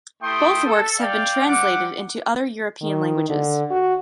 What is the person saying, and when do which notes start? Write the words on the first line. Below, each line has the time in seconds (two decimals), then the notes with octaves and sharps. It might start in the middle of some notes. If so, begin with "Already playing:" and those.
Both works have been translated into other European languages.
0.23 A3 E4 G4 G5 C6 D#6
0.65 A4
0.99 D5 F5 G5
1.46 G3 F#5 D6
2.81 D#3
3.30 D3
3.70 F#4